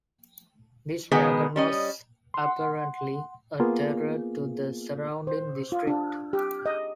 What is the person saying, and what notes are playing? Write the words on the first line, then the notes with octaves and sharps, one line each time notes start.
This dragon was apparently a terror to the surrounding district.
B2 D#3 G#3 B3 G#4
G3 C#4 D#5
F#5 C6
A#3 B3 F4 G#4
C5
F4
D4
G4
D#5